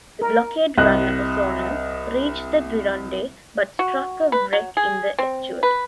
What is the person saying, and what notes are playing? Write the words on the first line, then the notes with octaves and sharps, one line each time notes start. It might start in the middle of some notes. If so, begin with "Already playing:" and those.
The blockade runner "Osorno" reached the Gironde, but struck a wreck in the estuary.
A#4
C2 D#5 F#6
F#4
B4
F#3
G#4
C4
B4